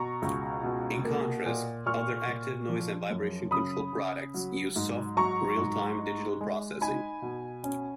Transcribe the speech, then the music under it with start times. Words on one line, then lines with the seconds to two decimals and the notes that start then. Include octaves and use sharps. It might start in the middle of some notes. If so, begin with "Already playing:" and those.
In contrast, other active noise and vibration control products use soft real-time digital processing.
Already playing: B2 A#5 C#6
0.22 C#2
0.63 B2
1.05 A#3
1.46 A#2
1.86 A#2 C#6 F6
2.27 A#2
2.69 F3
3.10 F#2
3.51 C#3 B5 D#6
3.93 C#3
4.34 F#3
4.76 G#2
5.17 F#3 A#5 C#6
5.57 G#2
5.99 D#4
6.41 G#3
6.81 D#4 G#5 B5
7.22 B2
7.64 C#4